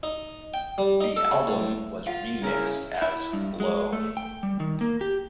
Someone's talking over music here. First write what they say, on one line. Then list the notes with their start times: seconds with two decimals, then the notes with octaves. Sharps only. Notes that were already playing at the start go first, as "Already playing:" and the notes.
The album was remixed as Blow.
0.03 D#4
0.54 G5
0.78 G3
1.01 D#4
1.16 A4
1.31 C#3
1.47 A2
2.07 F4 F5 F#5
2.43 C#3 E4 A#4
3.02 E4
3.33 G2
3.60 G#3
3.93 A3
4.17 G5
4.43 G3
4.60 D#3
4.81 A#3
5.01 G4